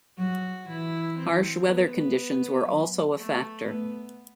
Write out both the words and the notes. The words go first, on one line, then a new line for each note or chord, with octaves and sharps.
Harsh weather conditions were also a factor.
F#3 F#4
E3 E4
C4
B3
F#3
A3
A3 B3